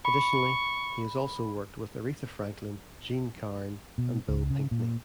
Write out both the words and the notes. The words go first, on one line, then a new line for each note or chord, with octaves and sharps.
Additionally, he also worked with Aretha Franklin, Jean Carn, and Bill Pinkney.
B5 C#6
B2
C#2
C#3
A#2